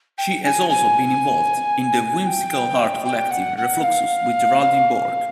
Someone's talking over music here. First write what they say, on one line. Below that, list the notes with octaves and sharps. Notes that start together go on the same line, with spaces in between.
She has also been involved in the whimsical art collective Refluxus with Geraldine Burke.
G5
G#5
G#5
G5
G5
F#5
F#5
F5